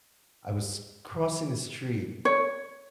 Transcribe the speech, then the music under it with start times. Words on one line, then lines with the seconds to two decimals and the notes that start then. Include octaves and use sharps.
I was crossing the street
2.25 C#5